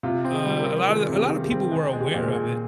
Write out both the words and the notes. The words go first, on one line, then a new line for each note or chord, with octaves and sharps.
uh, a lotta a lotta people were aware of it,
C3 F4
C4
G#4
G3
A#4
C4
D#3 G#4
C3
G4
D#3
G4
C4
G#3 G#4
G#3
G4
A#2
G#4
A#2